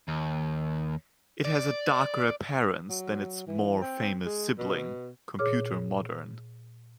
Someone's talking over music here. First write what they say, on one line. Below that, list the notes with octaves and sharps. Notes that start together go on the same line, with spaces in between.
It has a darker appearance than its more famous sibling, Computer Modern.
D#2
D5
F#3
E3
C4
G#3
B2
A#2 G#4 C#5 D6 F6